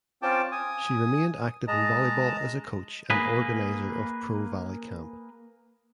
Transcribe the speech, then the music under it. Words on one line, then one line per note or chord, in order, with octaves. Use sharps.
She remained active in volleyball as coach and organizer of Pro Volley camp.
C4 C#4 F4 G5 A5 D6
G#5 D#6
G#3 D#5 A5 A#5
A#3 G#4 B4